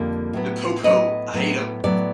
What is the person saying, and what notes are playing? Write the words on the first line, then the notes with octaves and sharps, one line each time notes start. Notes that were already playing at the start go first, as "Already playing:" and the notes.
The 'Po-Po,' I hate 'em.
Already playing: F2 D3 G3 A#3
A2 F#3 B3
A2 F#3 B3 D#5
A2 F#3 B3
A2 F#3 B3 D5